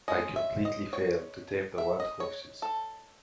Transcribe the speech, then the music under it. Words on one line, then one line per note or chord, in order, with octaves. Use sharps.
I completely failed to tame the wild horses.
G#3 C#4 D#5
E5
D#5
C#5
E5
D#5
C#5
A4